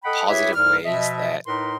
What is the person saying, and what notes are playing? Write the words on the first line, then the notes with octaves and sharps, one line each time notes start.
positive ways that,
A4 D#5 F#5 G5 B5
E4 G4 G#4 B4 C#5 E5
C2 G#2 G3 F6
B2 F3 D#5 E5
A2 D#4 A#4 B4 C6